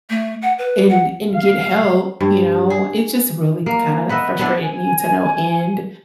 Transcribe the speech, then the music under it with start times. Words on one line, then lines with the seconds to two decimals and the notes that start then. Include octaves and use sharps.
and and get help, you know, it just really kinda frustrated me to no end,
0.10 A3
0.42 F#5
0.59 B4
0.89 F#5
1.34 F5
2.21 G2
2.70 G#4
3.66 A#3
4.09 B3 B4 D#5 E5
4.39 B3 D4 E4
4.63 G#5